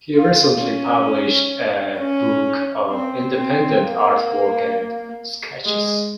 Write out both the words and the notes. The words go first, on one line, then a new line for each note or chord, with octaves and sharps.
He recently published a book of independent artwork and sketches.
F4
C#4
C#4
C4
C4
A#3
G#3